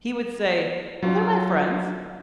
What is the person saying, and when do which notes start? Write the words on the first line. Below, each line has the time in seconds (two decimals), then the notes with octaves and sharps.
He would say, "Well, they're my friends."
1.02 F#3 F4